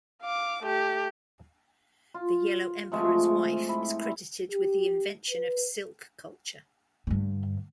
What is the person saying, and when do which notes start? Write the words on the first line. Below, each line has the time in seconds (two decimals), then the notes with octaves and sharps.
The Yellow Emperor's wife is credited with the invention of silk culture.
0.22 F5 D6
0.64 A3 G4
2.14 F4
2.92 C3 F3 G#3 A3
3.69 E4
4.52 G4
5.30 B4
7.07 G2 D3